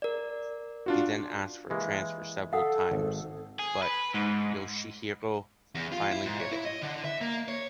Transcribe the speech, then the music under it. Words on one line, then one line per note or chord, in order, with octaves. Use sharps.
He then asked for transfer several times, but Yoshihiro finally did it.
A#4 D5
D4 F4 F#4
E3 G#3 A#3 G4
A4 F5 F#5 D#6
G#1
G#4
B4
G#2
E2
F4
E4
G#2
C#5
E4
D#5
D3
E5
A#3
C#5